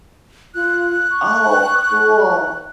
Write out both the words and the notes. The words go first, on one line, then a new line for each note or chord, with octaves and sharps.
Oh, cool!
F4 F#6
C#6